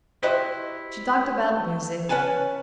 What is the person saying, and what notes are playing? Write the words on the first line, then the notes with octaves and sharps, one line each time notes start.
She talked about music.
E4 F#4 G4 C5 D#5 E5
C#4 B4 F#5 G#5 A5